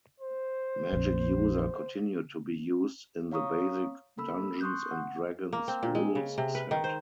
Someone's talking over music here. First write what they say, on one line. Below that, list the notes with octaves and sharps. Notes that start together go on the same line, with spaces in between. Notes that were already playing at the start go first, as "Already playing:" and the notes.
"Magic-User" continued to be used in the basic "Dungeons and Dragons" rules set.
C5
A#1 F2
C#5 F5 A#5 C#6 D#6
A#3 A4 B5 E6
C6 C#6 D#6 F#6 G6
F#5
A#3
C4
A#2
G#3
C#3
C3
B4
D#3
C5